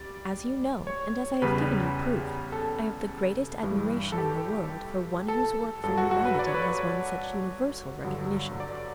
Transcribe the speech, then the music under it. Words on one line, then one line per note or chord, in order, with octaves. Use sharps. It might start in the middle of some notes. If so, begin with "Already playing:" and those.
As you know, and as I have given you proof, I have the greatest admiration in the world for one whose work for humanity has won such universal recognition.
Already playing: G3 D5
C#5
E2 C#3 G3 B4
A4
G2 E3 G3
A4
G4
A4
G2 F#3 A4
F#4
F#4
B4
D5
C#5
B4
C#5
G2 D3 F#3
D5